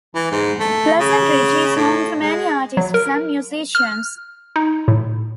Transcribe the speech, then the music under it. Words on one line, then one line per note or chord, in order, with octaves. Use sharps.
Pleasant Ridge is home to many artists and musicians.
E3
G#2
A3
C#3
A2
G#3
F#3
A#4
F6
D#4
A2